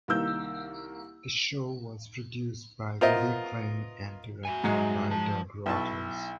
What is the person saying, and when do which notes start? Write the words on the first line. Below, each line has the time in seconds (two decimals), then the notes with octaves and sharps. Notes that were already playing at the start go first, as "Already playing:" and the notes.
The show was produced by Woody Kling and directed by Doug Rogers.
0.08 C2 D#3 A#3 E6 G6
3.01 B3 F4 A#4 C5 D#5 E5
4.45 F#4 E5 G#5
4.64 G#2 F#3 G#3
5.10 F3 A5
5.66 B1 E4 B4 A5 C#6